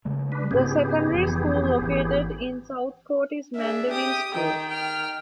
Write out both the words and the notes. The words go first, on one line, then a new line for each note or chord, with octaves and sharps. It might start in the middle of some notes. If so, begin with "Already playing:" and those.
The secondary school located in Southcourt is Mandeville School.
C#3 G#3 A3
D4 B4
G#2 C#3 B3 C#4 G4 G#4
F1 F2 E3
G#1 E3
D4 G#4 E5
G4 D#6
D#3 G5
G5 F6